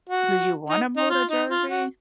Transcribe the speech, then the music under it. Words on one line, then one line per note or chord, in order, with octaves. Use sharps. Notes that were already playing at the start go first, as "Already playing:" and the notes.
Do you wanna move to Jersey?
F#4
D#4
D#4
F4
D#4
F4
F#4